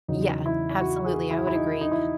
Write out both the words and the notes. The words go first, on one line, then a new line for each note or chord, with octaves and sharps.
Yeah. Absolutely. I would agree.
E2 C#3 F#3 D#4
E4
F#4
G#4
E4
F#4
E4
D#4
D#4
E4